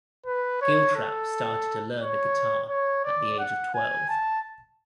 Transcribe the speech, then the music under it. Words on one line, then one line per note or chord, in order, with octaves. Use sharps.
Giltrap started to learn the guitar at the age of twelve.
B4
C#5
A4
C#5
C#5
D5
F#5
G#5
A5